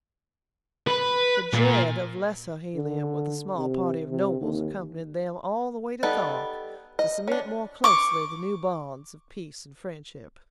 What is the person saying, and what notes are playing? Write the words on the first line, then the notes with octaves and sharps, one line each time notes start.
The jed of lesser Helium with a small party of nobles accompanied them all the way to Thark to cement more closely the new bonds of peace and friendship.
B4
A#2
D3
C3
C3
D#2
G3 B3 D#4 A4
D#5
C#4 D4
C#6 D6